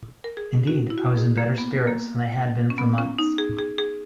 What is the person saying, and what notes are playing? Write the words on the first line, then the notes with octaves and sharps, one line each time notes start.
Indeed I was in better spirits than I had been for months.
A#4
G#4
F#4
E4
F#4
G#4
A#3
B3
A#3
C#4
B3
C#4
D#4
G#4
G#4
G#4